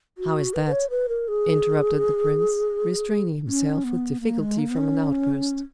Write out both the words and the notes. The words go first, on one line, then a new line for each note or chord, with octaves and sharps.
"How is that?" interrupted the prince, restraining himself with difficulty from an outburst.
F#4
B4
B4
C#5
B4
A#4
G#4
C#4
B3
A#3
G#3
A#3
B3
C#4